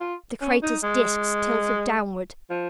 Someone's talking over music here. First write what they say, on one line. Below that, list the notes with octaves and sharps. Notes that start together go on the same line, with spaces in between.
The crater's disks tilted downward.
F4
C#4
D#4
G#3
F3